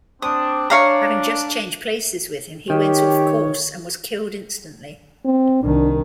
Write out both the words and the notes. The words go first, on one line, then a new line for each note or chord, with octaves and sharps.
Having just changed places with him, he went off course and was killed instantly.
C4 D4 D#6
D4 C#5 F5 A#5
D#3 G4 C#5
C4
C2 D#3 D4